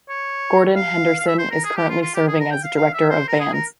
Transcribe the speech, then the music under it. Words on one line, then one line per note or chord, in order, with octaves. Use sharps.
Gordon Henderson is currently serving as Director of Bands.
C#5
F5
F5
E5
C5
A#4
G#4
G4
F4
F4
G4
G#4
A#4
G5
F5
F5
E5
C5
A#4
G#4
A#4